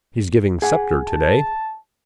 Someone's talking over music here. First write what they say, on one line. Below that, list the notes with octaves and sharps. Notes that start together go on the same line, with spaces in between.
He's giving Sceptre today.
G#4 F#5 G#5
A5